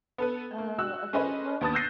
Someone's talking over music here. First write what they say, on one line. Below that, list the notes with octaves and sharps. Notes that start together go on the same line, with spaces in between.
Oh, okay. Well,
B3 A4 B4
A#3
F#4 E6 F#6
C#4 G#4 A4 B4 C5 D#5
D#2 B3 A5 D#6 A6
E6 F#6 G6 A#6 C7 D#7